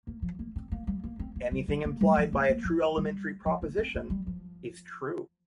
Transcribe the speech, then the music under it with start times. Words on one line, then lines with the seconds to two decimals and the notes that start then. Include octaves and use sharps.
Anything implied by a true elementary proposition is true.
0.07 A#3
0.22 F3
0.39 A#3
0.56 C4
0.72 A#3
0.87 G3
1.04 A#3
1.19 C4
1.36 A#3
1.51 G3
1.68 G3
1.85 A#3
2.01 G3
2.17 F3
2.33 A#3
2.49 A#3
2.65 F3
2.97 G3
3.46 F3
3.62 A#3
3.78 C4
3.95 A#3
4.10 G3
4.27 F3